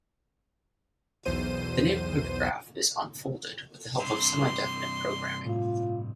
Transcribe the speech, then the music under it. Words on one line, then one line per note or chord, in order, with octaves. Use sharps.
The neighbourhood graph is "unfolded" with the help of semidefinite programming.
B1 E2 C5 D#7
G2 C3 C6
A2 F4